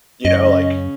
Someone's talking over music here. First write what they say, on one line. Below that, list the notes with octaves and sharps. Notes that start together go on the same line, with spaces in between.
you know, like,
F#2 C#3 C#4 D#5